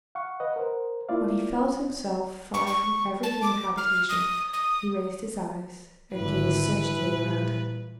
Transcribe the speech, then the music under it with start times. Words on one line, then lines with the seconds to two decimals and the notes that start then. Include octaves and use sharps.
When he felt himself far from every human habitation, he raised his eyes and gazed searchingly about him.
0.15 F5 F#5 C#6
0.40 B4 D#5 F#5
0.56 A#4 C5
1.09 A#3 E4 F4 D5 F5
2.54 C#6
2.67 C#6
3.23 A5
3.42 D6
3.77 F6
4.09 D#6
4.53 D#6
6.14 G#1 D3 E3 G3 B4
6.92 A#2